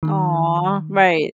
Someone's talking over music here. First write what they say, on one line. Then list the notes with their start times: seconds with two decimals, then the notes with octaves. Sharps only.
Aw! Right.
0.03 D#3